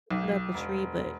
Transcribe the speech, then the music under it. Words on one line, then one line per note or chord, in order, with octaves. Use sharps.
put up a tree, but
B1
E1